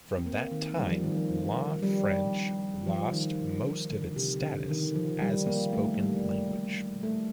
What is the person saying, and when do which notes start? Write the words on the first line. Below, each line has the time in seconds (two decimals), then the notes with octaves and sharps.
From that time, Law French lost most of its status as a spoken language.
0.18 C4
0.26 A#3
0.51 D#3
0.78 G3
0.90 F3
1.04 D#3
1.17 F3
1.83 G3
2.87 F3
3.13 D#3
3.91 D3
4.16 C3
4.43 D3
4.69 D#3
4.95 F3
5.21 G3
5.47 A#3
5.73 A3
5.99 G3
7.03 A3